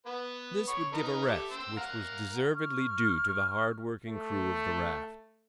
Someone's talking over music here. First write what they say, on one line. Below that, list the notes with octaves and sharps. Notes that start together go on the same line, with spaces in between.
This would give a rest, which was deservedly due to the hard-working crew of the raft.
B3 B4
C#5 B5 C#6
D#4 A#4 B4
G4 A4 E5
C5 E6
F5 F#5 A#5
C#6 F6
A3